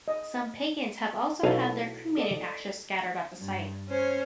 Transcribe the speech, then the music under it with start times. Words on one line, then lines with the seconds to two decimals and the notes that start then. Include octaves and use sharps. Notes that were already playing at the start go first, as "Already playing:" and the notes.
Some Pagans have also had their cremated ashes scattered at the site.
0.08 D#5
1.43 B1 E4 F#4 A4 F5 G#5
2.17 A4 D5 D#5
3.39 G2
3.89 C#4 C5 C#5